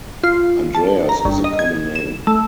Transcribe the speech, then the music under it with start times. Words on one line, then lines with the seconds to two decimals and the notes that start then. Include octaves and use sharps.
Andreas is a common name.
0.23 F4
0.75 A5
1.09 A#5
1.25 G1
1.44 D#5
1.59 G#6
1.95 E7
2.27 A3